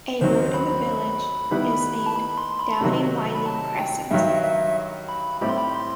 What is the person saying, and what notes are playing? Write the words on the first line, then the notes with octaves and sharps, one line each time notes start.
A road in the village is named Doughty-Wylie Crescent.
D#2 D#3 F#3 C4 C5
B5
D#3 G3 B3 E4 B4
A5
B5
C6
B5
C3 D#3 F#3
B5
A5
G5
G2 D#3 F#3 E5
E5
B5
A2 G3 C4 E4 G4 B5
C6
B5
C6